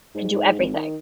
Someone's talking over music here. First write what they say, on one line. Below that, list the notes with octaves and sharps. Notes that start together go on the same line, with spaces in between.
Can do everything.
G#2
G#2
G#1
D#3